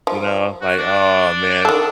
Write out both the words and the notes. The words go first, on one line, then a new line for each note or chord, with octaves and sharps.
you know, like, aw, man
F3
F#4
D4
D#3 A4